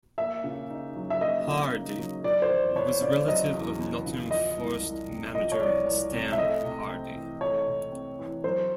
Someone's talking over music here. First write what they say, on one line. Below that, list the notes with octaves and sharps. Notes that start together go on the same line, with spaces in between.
Hardy was a relative of Nottingham Forest manager Stan Hardy.
A#3 E5
C#3
D#4
F#3
E5
A#3 D#5
C#3
D#4
F#3
F#3 D5
C5
E2
B3 C#5
C#3 D5
F#3 D#5
E2
B3
C#3
F3 D#5
C2
C2
C3
F3 D#5
C#5
C2 D5
C2
C3
E5
A3 D#5
C3
C4
E3
A3 C#5
C3
C4
E3
F#3 C5